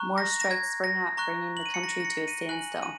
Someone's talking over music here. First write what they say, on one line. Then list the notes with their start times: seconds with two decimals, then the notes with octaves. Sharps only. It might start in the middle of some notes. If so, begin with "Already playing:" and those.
More strikes spring up, bringing the country to a standstill.
Already playing: A#5 C#6 F#6
0.18 A#6
0.41 A#6
0.51 G#6
0.84 A#6
1.17 A#5 C#6 F#6
1.57 F#7
1.66 D#7
1.74 C#7
1.84 A#6
2.00 A#6
2.05 C#7
2.28 D#7
2.49 G#5 F#6 F#7
2.82 D#7